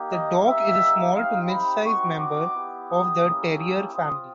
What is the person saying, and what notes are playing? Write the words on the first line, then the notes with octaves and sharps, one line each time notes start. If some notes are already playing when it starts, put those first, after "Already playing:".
The dog is a small to mid-size member of the Terrier family.
Already playing: A#3 D#4 G4
D#5
A#3 D#4 G4 E5
C4 D#4 G4 F5
B5
C4 D#4 F#4 C#6
D6
B3 E4 G4
D#6
A#3 C#4 E4 G4
D#6
C4 F4 D#6